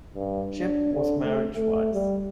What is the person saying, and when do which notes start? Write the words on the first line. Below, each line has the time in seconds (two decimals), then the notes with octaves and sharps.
Chipp was married twice.
0.14 G2
0.56 D4
0.94 D3
1.23 A3
1.56 A3
1.94 G3